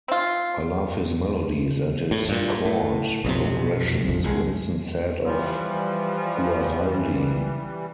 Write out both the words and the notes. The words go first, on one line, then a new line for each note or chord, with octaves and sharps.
"I love his melodies and his chord progressions", Winston said of Guaraldi.
C4 F4
A2
G2 A#2
A2
B1 F2 C3
A#1 F2
C2 G#3
E3 F3 G3